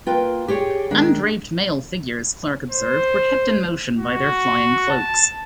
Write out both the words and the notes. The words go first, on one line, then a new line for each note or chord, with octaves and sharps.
Undraped male figures, Clark observed, were kept in motion by their flying cloaks.
A#3 F4 B4 G5
G4 G#4 C#5 D5 G5
D#3 G#3 D4
C5
F#4
A5